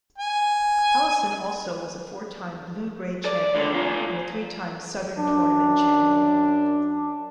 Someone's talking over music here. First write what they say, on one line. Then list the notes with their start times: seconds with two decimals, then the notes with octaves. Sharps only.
Alison also was a four-time Blue Gray champion, and a three-time Southern tournament champion.
0.18 G#5
3.25 D5
3.55 C#2 D3
3.73 C3 F4
5.18 F#2 D4